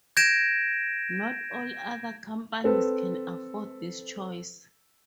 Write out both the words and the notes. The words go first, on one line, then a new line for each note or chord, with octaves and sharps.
Not all other companies can afford this choice.
G6 G#6 A#6 D7 E7
C4 A4 B4